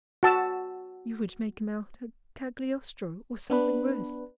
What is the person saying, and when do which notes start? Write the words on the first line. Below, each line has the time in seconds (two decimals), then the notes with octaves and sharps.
You would make him out a Cagliostro or something worse.
0.23 F#4 A5 E6
3.50 B3 D4 B4